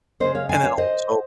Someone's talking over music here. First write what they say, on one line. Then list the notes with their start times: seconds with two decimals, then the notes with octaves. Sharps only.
and then also
0.20 C#3 G#3 C#4 C5 D#5
0.35 C#5 F5
0.49 F5 G#5
0.63 C#5 F5
0.78 C5 D#5